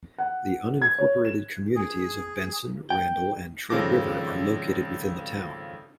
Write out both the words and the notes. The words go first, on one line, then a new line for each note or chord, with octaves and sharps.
The unincorporated communities of Benson, Randall, and Trade River are located within the town.
F#5
G#6
C#5
E7
G#4
G5
G#1 C#3 F3 A4 D6 A#6